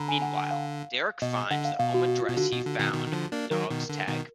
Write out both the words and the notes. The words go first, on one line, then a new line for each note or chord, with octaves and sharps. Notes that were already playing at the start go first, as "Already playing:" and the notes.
Meanwhile, Derek finds the home address he found on the dog's tag.
Already playing: D3 A#5 B5
G#5
F#5
F#5
F5
B2 D#5
D3 F#5
F5
B2 F5
F#4
F#4
F4
B2
D3 F#4
B2
D3
B2 D#3
B2 D#3
D#3
D3 F3
A#3 D4
D#3 F#3 A#4
B2 D#3
D3
B2 D#3